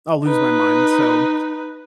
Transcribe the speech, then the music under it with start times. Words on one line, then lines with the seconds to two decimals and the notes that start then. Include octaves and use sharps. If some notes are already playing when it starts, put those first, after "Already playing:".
I'll lose my mind, so,
0.25 D#4 B4